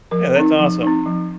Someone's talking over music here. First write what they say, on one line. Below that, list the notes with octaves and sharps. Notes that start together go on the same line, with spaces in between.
Yeah, that's awesome.
F3 A#4
C4 D#4
F3
C4 D#4
F3